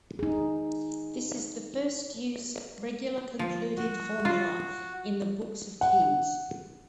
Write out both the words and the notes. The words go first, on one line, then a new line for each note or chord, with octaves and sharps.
This is the first use regular concluding formula in the books of Kings.
D#4 G#4
F3
F#4
F4
F#5